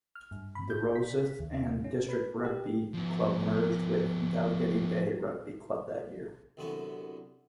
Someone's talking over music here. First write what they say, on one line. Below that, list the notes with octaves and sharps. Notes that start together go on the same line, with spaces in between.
The Rosyth and District rugby club merged with Dalgety Bay rugby club that year.
F6
G2
B5
G6
B6
D#2
C#4
B4
G4
F3 B3
C2 F#2 D3 B3 E4 F#4